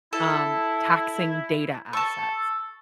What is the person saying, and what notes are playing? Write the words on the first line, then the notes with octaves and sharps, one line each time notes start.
um, taxing data assets.
E4 A4
A4 A5 C#6